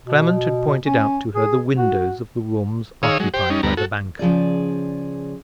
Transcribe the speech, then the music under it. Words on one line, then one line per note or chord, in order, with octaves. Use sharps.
Clement had pointed out to her the windows of the rooms occupied by the banker.
B2
C#4
G#4
F#4
D#3 G#4 C#5 F5 D#6 E6
F#3 G#3
G4 C5 G5
G3 C#4 D#4
D2 G2 G3 B3 A#5
F#4 A4
C#3 F3 G#4 D5